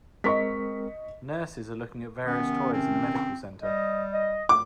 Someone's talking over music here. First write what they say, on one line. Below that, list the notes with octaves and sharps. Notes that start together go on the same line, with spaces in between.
Nurses are looking at various toys in the medical center.
G#3 C4 A#4 D#5 C#6 B6
C3 D#3 B3 C#4
C4
G3 D#5
D#5
D6